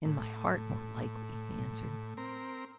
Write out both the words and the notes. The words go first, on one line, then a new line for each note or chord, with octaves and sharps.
"In my heart, more likely," he answered.
A2
C4 A#4